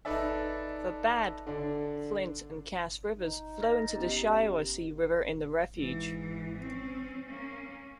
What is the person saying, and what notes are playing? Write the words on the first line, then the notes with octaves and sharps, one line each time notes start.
The Bad, Flint, and Cass Rivers flow into the Shiawassee River in the refuge.
D#4 A4 B4 D5 E5
D3 D4
D#4
F6 A6 A#6
B3 C#4 G4
G#2 E3
C4 C#4
A#3 C#4